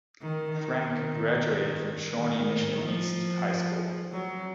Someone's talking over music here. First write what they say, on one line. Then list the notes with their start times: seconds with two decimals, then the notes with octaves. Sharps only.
Frank graduated from Shawnee Mission East High School.
0.21 D#3
0.53 D#3
2.16 D#3
2.81 F3
4.12 F#3